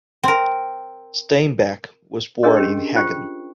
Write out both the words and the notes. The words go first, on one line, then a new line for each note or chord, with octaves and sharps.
Steinbeck was born in Hagen.
C4 A#4
D4 G#4 A#4 D#5 C6
C#4 D4 G4 G5
F4 C5 G5 C#6